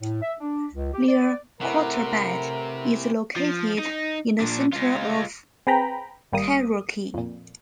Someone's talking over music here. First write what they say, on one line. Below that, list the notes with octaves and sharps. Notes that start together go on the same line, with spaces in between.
Liaquatabad is located in the centre of karachi.
A2
E5
D4
C#2
G4
D5
A2 C3 E3 F#4 A#4 F#5 A#5
F3
D#4
A#2 D4
G#3 F4
C4 G#4 B4 G5 A#5 B5
G#1 G3 A#3 D#6
F2 A#2